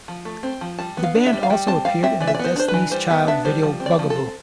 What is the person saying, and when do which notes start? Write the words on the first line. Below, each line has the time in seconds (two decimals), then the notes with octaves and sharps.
The band also appeared in the Destiny's Child video "Bugaboo".
0.08 F3
0.25 A3
0.43 C4
0.61 F3
0.78 G3 A5
0.97 B3
1.03 F5
1.15 D4
1.26 E5
1.33 G3
1.43 F5
1.50 G3 G5
1.67 C4 A5
1.85 G3 F5
2.03 C4 E5
2.20 E3 D5
2.27 E5
2.34 D5
2.39 B3
2.44 C5
2.56 D4 C5
2.68 B4
2.74 E3
2.91 G3 C5
3.10 B3 E5
3.27 D4 E5
3.45 G3 C5
3.63 F3
3.80 C4
3.86 D5
3.99 F3
4.10 A4
4.16 C4